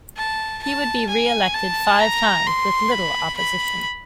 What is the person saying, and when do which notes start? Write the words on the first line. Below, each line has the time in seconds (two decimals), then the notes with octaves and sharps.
He would be re-elected five times with little opposition.
0.17 A5
0.63 A5
1.09 G#5
1.54 A5
2.00 A#5
2.47 C6
2.91 B5
3.37 B5